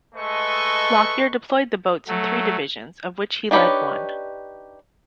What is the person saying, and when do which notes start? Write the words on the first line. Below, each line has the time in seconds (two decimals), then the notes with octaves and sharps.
Lockyer deployed the boats in three divisions, of which he led one.
0.15 G#3 A3 A4 B4 D#5 C#6
2.08 F#3 A3
3.51 D4 D#4 G4 B4 C#5